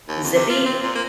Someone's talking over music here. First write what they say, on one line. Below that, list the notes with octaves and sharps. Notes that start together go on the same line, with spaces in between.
eh, zippy.
D#2
F2
C3
F4
C4
A#2
A#3